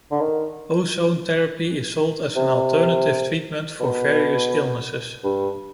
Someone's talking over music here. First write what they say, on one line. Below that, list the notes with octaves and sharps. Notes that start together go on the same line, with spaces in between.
Ozone therapy is sold as an alternative treatment for various illnesses.
D3
D#3
C3
B2
G2